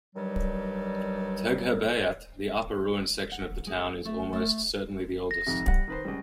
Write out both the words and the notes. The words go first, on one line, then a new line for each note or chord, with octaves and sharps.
Tegherbeyat, the upper ruined section of the town, is almost certainly the oldest.
G2 D#3 F#3 G3
F#5
G#3
A3
A3
A#6
F2 G#2 C3
G3 F#5
D#3 B4 C5
C#2 G3